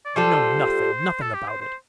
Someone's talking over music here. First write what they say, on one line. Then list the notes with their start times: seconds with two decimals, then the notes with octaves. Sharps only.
You know nothing, nothing about it....
0.05 D5
0.16 G3 F4 A4 C5
1.22 A4
1.35 G4
1.48 C5
1.61 C5